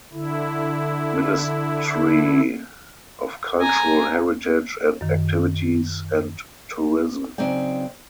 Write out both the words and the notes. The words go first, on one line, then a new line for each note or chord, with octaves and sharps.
Ministry of Cultural Heritage and Activities and Tourism.
D3 E4
G#5 A#5
F#2 D#3
C#3 F#3 C4 D#4 D5 G5